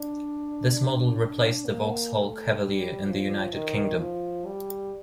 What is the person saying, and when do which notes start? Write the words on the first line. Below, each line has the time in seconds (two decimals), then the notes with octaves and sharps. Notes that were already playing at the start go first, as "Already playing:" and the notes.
This model replaced the Vauxhall Cavalier in the United Kingdom.
Already playing: D4
0.73 D4
1.20 D4
1.66 A#3
2.13 A3
2.59 G3
3.06 F3
3.53 D#3
3.99 F3
4.46 G3